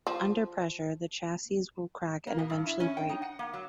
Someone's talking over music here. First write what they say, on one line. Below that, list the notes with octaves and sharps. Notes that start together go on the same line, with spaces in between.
Under pressure, the chassis will crack and eventually break.
F3
A#3
B2
G2
E4
C#4
G5
D#4
F#5
A#3
F#3